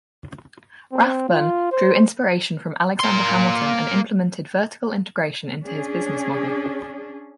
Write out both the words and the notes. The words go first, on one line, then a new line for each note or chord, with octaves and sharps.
Rathbun drew inspiration from Alexander Hamilton and implemented vertical integration into his business model.
C4
F4
C5
A#3 C6
C#4 D4 G#4